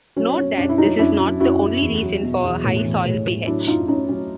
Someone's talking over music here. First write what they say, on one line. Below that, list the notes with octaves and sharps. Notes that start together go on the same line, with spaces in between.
Note that this is not the only reason for a high soil pH.
F#3 C#4
F#3 C#4
F#2 D4
E4
F#3 C#4 D#4
F#2 D4 E4
F#3
F#2 E4 F#4
F#2
E2
F#3
B2
E2
A2
E3
A2
A2
F#3 D4 E4
F#2 D#4 F4
F#2 C#4 D#4
F#3 C#4